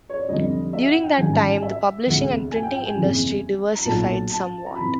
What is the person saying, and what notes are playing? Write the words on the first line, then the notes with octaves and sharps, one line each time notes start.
During that time the publishing and printing industry diversified somewhat.
C#5
D5
F1 F2 D3 G3 D#5
E5
F#5
G5
A1 G#2 D#3 G3 G#5
A5
G#5
E5
E1 D2 C3 F#5
G#5
G5
G5
G#5
F#1 E2 C3
A#5
B1 A#2 F#3 A5
A5
A#5
C3 E3 B5